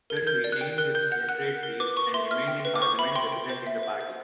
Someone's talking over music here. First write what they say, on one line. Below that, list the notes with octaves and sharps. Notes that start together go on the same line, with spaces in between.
Anderton retained his electorate seat and remained in Parliament representing the party.
A#4
G#6
A#4 G6
D5
F#6
G5
A#4 F#6
A#4 G6
F#5 G6
F#5 F#6
A#4
A#4
B4 D6
B4 C#6
E5 C6
E5 F6
G5
B4
D6
C5 C#6
E5 B5
G5 C6
G5
C5
E5
C5
C5